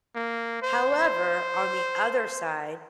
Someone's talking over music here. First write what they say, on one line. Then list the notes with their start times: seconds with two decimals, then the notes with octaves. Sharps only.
However, on the other side,
0.15 A#3
0.62 C5